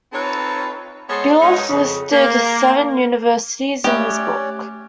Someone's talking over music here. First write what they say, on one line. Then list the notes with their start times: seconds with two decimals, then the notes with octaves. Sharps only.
Beloff listed seven universities in his book.
0.13 C4 D#4 F4 A4 B4 C#5
1.09 G#3 B3 G#4 A4 C5 C#5
1.41 G#2 G#3 B3 C#4 D#4
1.69 F2 C#3
2.12 A#3
3.84 A3 C#4 G4 C#5 D5 E5 F#6